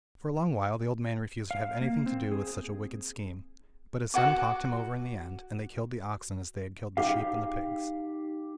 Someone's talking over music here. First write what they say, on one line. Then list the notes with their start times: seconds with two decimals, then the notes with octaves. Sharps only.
For a long while the old man refused to have anything to do with such a wicked scheme; but his son talked him over in the end, and they killed the oxen as they had killed the sheep and the pigs.
1.51 F5
1.81 A#3
2.06 C4
2.32 G#4
4.14 F#4 A4 F#5 D6
6.97 D#4 G4 F5